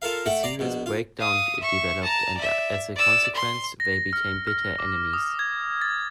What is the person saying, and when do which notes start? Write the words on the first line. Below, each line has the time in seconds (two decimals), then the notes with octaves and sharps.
A serious breakdown developed and as a consequence, they became bitter enemies.
0.02 F4 A4 A#4 F5
0.26 A3 F#5 G5
0.43 D5 A#5 C6
0.59 A#1 B2
0.86 F4
1.19 F5 D#6
1.60 E5 C#6
2.03 A5 A#5
2.37 D5 E5
2.96 D5 E6
3.34 C6
3.80 A#6
4.13 F6
4.47 F6
4.79 D6
5.13 D#6
5.39 G#6
5.81 A6